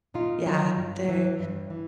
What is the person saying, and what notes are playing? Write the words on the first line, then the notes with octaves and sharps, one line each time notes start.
yeah, they're
A#2 D#4 F4
F#3
G2
E3
G2
E3